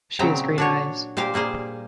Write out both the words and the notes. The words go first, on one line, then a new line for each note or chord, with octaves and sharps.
She has green eyes.
A#2 C#3 F#3 C4 E5 A#5
D4 F#4 C#5
A#2 G4 C5 F5
G3 A#3 G#4 C5